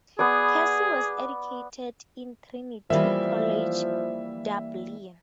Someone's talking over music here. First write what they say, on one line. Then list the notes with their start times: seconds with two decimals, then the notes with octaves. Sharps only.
Casey was educated in Trinity College Dublin.
0.19 B3 G#4 D5
2.90 E3 F3 G3 A#3 E5